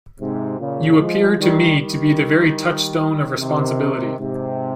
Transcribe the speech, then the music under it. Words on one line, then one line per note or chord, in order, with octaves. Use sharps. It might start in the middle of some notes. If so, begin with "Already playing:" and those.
You appear to me to be the very touchstone of responsibility.
G#2 C3
A#2 C#3
F3 G#3
D#3 G3
D#3 G3
C3 D#3
G#2 C3